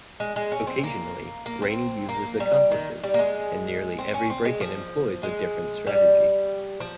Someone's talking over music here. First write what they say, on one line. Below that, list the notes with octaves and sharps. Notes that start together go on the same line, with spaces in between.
Occasionally, Rainey uses accomplices, and nearly every break-in employs a different strategy.
G#3
G#3
C#4
C4
A#3
A#3
C4
A#3
G3
D#3
G3
A#3
G#3
C4
C#4
C4
G#3
F3
G#3
G3
F3